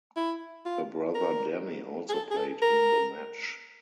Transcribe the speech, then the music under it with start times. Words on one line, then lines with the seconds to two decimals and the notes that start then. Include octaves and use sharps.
Her brother Danny also played in the match.
0.16 E4
0.65 F4
1.15 A#4
2.09 G#4
2.14 A4
2.31 G#4
2.37 A4
2.62 A#4